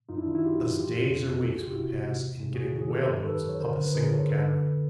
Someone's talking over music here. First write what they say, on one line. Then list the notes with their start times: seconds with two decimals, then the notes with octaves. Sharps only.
Thus days or weeks would pass in getting the whale-boats up a single cataract.
0.09 F#2 D#4 F4
0.17 D4 E4
0.27 D#3 D#4 F4
0.35 E4 F#4
0.44 F#2 F4 G4
0.62 F#2
0.79 E3 F4 G4
0.97 F2
1.14 F2
1.32 C#3
1.38 A4
1.49 C2 F#4 G#4
1.61 F4 G4
1.67 C3
1.73 E4 F#4
1.85 C3
2.02 C3
2.20 E2
2.37 C3
2.54 E2 F#4 G#4
2.72 D#3
2.81 G#4
2.89 D#3 G4 A4
3.07 F#2
3.25 D#3 A4 B4
3.42 F#2
3.49 C#5
3.60 D3 A#4 C5
3.78 D3
3.84 B4
3.95 D3 G#4 A#4
4.13 D3 C#5
4.21 C5
4.30 D3 A4 B4
4.48 D3